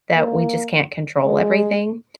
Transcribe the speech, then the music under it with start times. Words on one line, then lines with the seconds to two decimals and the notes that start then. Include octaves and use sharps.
that we just can't control everything,
0.16 A#3
1.25 G#3